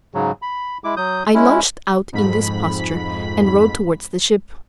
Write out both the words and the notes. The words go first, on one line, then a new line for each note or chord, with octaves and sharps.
I launched out in this posture, and rowed towards the ship.
G#2 C#3 F#3
B5
G#3 E4 D6
F#3 D#6 G6
G#3 C#4 E4
F2 G#2 B5 B6